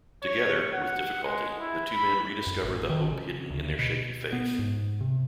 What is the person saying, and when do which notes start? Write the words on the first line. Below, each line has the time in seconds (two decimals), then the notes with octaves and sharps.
Together, with difficulty, the two men rediscover the hope hidden in their shaky faith.
0.23 C#5
0.73 F#5
1.24 G#3
1.59 E4
1.90 B5
2.47 F#2
2.64 A1
2.89 D#3
3.12 C#3
3.50 D2
3.79 B2
4.33 B3
4.59 G#2
5.01 C3